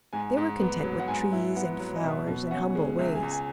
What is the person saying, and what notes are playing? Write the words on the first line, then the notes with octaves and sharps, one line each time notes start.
They were content with trees and flowers, and humble ways.
G#2 G#5
G#2
B3
F#3
F#5
G#2 G#5
E4
B3 F#5
F#3
D#5
B2 E5
B2
E5
C#4 F#5
G#3
C#2 E5
G#5
C#2
G#5